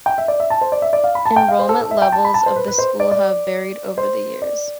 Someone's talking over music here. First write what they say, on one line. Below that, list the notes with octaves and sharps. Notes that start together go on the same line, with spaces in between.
Enrollment levels of the school have varied over the years.
G5
E5
D5
E5
A5
C5
D5
E5
D5
F5
B5
A5
G5
F5
C5
A4
A4
E5
G5
A5
B5
A5
C5
B4
B4
C5
D5
D5
C5
D5